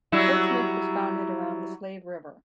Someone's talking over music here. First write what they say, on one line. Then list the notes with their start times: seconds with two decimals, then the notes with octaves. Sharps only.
Fort Smith was founded around the Slave River.
0.12 F#3 G3 E4